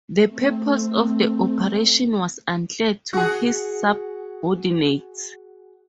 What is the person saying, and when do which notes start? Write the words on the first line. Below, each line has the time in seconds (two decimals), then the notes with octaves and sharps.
The purpose of the operation was unclear to his subordinates.
0.23 A3 C4
3.13 F#4 G#4